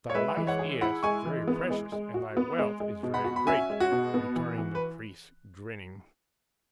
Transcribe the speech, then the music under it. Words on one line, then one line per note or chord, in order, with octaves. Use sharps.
'Thy life is, very precious, and thy wealth is very great,' returned the priest, grinning.
C#5
G#3 B4 E5
E3
C#5 F#5
G#4
E4 F#5 B5
G#3 G#5 C#6
E3
B3
G#3
G#3
F#4
B3
G#3
G#3
B2
F#5 B5
F#4
B5
C#4 E5 G#5
G#3
F#4
B2
B3
E3
E3
B4